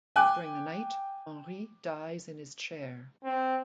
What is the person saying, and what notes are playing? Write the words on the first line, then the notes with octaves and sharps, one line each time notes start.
During the night, Henri dies in his chair.
G5 G#5 D6 F#6
C4